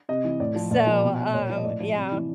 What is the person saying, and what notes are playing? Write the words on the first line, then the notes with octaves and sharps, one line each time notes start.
So, um, yeah.
C3 D#5
E3
A2 D5
F3
A#2 D5
F3
B2
A#2 C#5
F3
D#5
A2 D5
F3
C3
E3